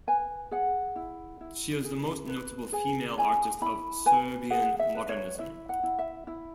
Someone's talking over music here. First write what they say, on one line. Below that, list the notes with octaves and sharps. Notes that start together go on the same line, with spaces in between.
She is the most notable female artist of Serbian modernism.
B4 G#5
G#4 F#5
E4
E4
G#4
B4
G#4 G#5
E4 G#5
E4 B5
B4 G#5
G#4 F#5
E5
B4
C#5
E4 E5
F#5
E4
E5
E4